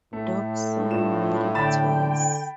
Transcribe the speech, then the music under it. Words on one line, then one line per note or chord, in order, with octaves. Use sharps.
Dobson married twice.
A2 A3
G2 F4 E7
D3 G5 B5 A6 E7